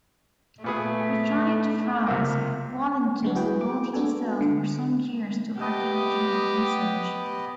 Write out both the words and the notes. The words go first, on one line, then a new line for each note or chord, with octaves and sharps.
Returning to France, Waddington devoted himself for some years to archaeological research.
A#2 A3 B3 G#4
C#2 C3 A#3
D3 G#3 B3
E4 F#4 G#4 B4 G5
D6
B3 D4 F#4 A4 G#5
D3
B3 G4 D#5